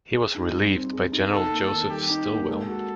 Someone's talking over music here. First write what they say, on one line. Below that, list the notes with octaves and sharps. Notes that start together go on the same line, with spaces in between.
He was relieved by General Joseph Stilwell.
G#4
D#4
G3
C4
G#4
D#4
D#4 A4
A#3
A4
D#3
G3 G4
D#4
A#3
G#3 A4
F#4